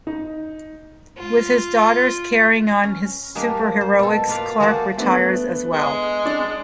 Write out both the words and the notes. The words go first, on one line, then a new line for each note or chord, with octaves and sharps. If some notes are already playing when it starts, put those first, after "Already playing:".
With his daughters carrying on his superheroics, Clark retires as well.
D#4
F4
C#4
G3 A#3 D4 D#4 G#4
C5
B2 A4
A#3 F4 B4 D5 F5
A3 A#3 F#4 G#4 C5 D5
A3 B3 D4
G#3
D4